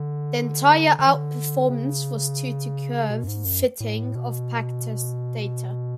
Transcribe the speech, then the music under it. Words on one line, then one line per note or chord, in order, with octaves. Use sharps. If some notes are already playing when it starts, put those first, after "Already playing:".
The entire outperformance was due to curve fitting of backtested data.
Already playing: D3
D3
E3
D3
C#3
B2
F#2
G#2
F#2
A2
B2